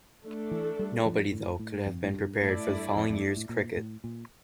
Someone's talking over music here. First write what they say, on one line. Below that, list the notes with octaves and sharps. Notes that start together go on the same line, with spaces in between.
Nobody, though, could have been prepared for the following year's cricket.
A3 D4 A4
E3
G3
F3
A2
A2
F2
A2
G2
A2 A3 E4 A4 D5
G2
F2
F2
A2
A#2
A2
A#2